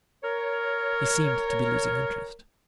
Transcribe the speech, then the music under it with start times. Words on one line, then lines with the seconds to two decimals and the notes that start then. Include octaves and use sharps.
He seemed to be losing interest.
0.23 A#4 C#5